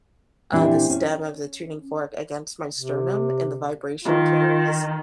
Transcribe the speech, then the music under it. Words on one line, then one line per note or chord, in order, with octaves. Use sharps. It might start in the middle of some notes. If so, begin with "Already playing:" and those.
uh, the stem of the tuning fork against my sternum and the vibration carries,
A#2 E3 C4 D4 E4 G4
C#4
C3
D#3 F4